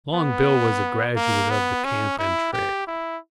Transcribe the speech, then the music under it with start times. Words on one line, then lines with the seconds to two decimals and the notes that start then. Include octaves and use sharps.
Long Bill was a graduate of the camp and trail.
0.14 B3
1.16 A#3
1.50 B3
1.84 C#4
2.18 E4
2.53 G4
2.87 E4